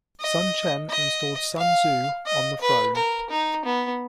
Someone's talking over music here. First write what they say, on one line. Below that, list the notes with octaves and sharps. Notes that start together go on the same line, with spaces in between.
Sun Chen installed Sun Xiu on the throne.
D#5
D#5
F5
D#5
B4
A#4
D#4
B3